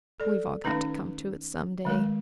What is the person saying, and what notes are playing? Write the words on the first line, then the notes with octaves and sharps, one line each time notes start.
We've all got to come to it some day.
A4 D5
D#3 A3 C#4 D#4 B4 A#5
D#3 G#3 A3 A#4